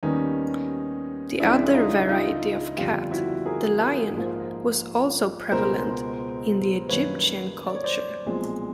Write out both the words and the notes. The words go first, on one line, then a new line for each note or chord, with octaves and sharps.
The other variety of cat, the lion, was also prevalent in Egyptian culture.
D#2 D#3 G3 B3 C#4 D#4
C#2 C#3 F3 G#3 D4 E4
E4
D#4 F4
D#4 F4
G1 F2 D3 G3 F4 G4
E4 F#4
G#4 A#4
G#4 A#4
A#1 G#2 F3 A#3
C#2 B2 G#3 A#4 C5
F#2 D#3 G3 A#3 B4 C#5
D5
C#5
C5 D5
B1 A#2 F3 G#3 C4